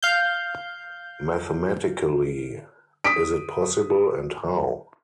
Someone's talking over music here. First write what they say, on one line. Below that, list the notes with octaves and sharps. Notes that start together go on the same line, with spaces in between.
Mathematically, is it possible and how?
F5 G6
D#6 B6 D7